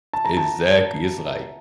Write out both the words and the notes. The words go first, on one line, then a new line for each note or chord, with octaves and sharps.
Exactly, it's like,
A5
A#5
A5